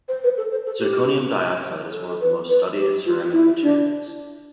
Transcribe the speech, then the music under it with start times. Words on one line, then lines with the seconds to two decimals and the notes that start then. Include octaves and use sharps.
Zirconium dioxide is one of the most studied ceramic materials.
0.08 C5
0.24 B4
0.37 A4
0.51 C5
0.66 A4
0.79 G4
1.92 A4
2.21 B4
2.49 B4
2.77 G4
3.06 F4
3.33 E4
3.63 D4